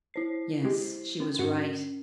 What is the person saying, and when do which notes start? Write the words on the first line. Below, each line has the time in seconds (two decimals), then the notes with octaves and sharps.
Yes, she was right.
0.14 E4 C5 C7
0.65 G#3 G4
1.20 C#4 A#4
1.39 G#2 F#4 C#7